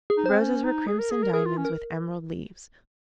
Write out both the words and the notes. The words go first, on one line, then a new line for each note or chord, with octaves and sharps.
The roses were crimson diamonds, with emerald leaves.
G#4
D#4
C4 C5
C#4
D#4
G#4
A#4
G#4
A#4
G#4 A#4
F4
C#4
A#4